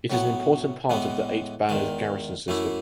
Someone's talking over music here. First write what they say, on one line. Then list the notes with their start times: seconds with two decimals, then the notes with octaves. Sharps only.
It is an important part of the Eight Banners garrison system.
0.10 A2 F#3 B3
0.90 A2 E3 G#3 B3
1.69 E2 D#3 G#3
2.48 F#2 E3 A3 E4